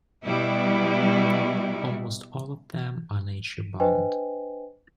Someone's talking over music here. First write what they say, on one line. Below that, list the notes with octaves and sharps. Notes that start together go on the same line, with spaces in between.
Almost all of them are nature bound.
B2 G3 E4
D4 B4 C5 D#5 G5 G#5